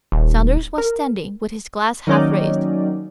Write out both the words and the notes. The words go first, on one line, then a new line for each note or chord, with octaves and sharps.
Saunders was standing with his glass half raised.
D#1
A#4
D#3 F#3 A#3 C#4 D#4 D5